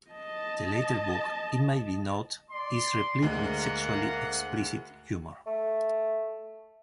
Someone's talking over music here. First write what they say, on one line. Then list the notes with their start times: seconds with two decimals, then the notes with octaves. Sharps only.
The latter book, it may be noted, is replete with sexually-explicit humor.
0.10 D#5 A5
2.50 D5 C6
3.22 D2 G#3 A#3 A#4 F#5
5.46 A3